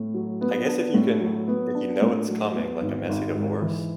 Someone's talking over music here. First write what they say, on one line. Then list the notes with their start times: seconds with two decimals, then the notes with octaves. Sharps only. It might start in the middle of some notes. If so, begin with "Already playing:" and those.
I guess if you can if you know it's coming, like, a messy divorce,
Already playing: A2
0.14 F#3
0.41 B3
0.68 D4
0.94 A2
1.21 F#3
1.48 B3
1.75 D4
2.02 A2
2.28 F#3
2.55 B3
2.82 G#1
3.09 G#1
3.35 G#2
3.62 E3